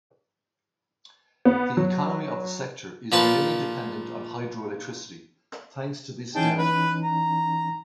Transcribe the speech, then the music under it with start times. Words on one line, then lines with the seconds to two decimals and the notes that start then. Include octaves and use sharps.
The economy of the sector is mainly dependent on hydroelectricity thanks to this dam.
1.45 B3
1.77 F#3
3.12 A#2 F3 B4 A5
6.35 E3 C#4 D#4 G#4 G5 A5
6.57 B4
7.03 A#5